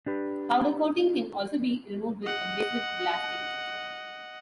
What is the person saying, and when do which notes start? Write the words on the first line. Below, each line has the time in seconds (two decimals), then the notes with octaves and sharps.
Powder coating can also be removed with abrasive blasting.
0.06 D4 G4 B4
2.24 D#5 F#5